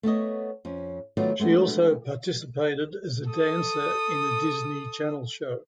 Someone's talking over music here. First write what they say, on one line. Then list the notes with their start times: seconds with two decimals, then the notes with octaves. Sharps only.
She also participated as a dancer in a Disney Channel show.
0.03 A3 B3 C#5 D#5
0.65 F2 C#4
1.17 D#3 F#3 A3 B3 F4 D5
1.40 G#3 A3 B3 D4
3.28 A4 D#6